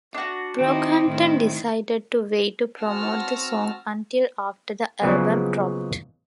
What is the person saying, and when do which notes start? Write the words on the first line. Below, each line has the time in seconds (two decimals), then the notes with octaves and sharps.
Brockhampton decided to wait to promote the song until after the album dropped.
0.14 D4 F#4
0.58 D#3 C4 D#4 E4
1.07 A2 D#3 E4
2.80 C4 F#4 A5 E6 F6 A#6
5.02 C#3 F3 F#3 G#3 A#3 B3